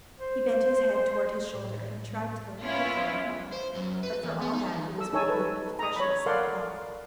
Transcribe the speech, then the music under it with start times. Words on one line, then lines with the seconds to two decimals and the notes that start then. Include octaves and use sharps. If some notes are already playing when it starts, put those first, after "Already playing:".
He bent his head towards his shoulder and tried to look pitiful and humble, but for all that he was radiant with freshness and health.
0.19 C5
1.53 A2
2.61 B3 C#4 E4 F4
3.52 C5
3.75 F#2
4.03 B4
4.23 E3
4.41 B3
4.53 D#4
4.72 E3
4.98 A4 E6
5.13 D#4 A4 C#5 G#5 E6
5.29 A4 B4
5.79 A#5 D#6
5.96 C#5 B5
6.26 A4 A#4 D5 F5 F#5 C6